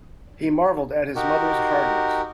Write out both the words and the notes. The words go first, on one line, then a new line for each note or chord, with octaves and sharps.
He marvelled at his mother’s hardness.
D#4 F#4 G4 A#4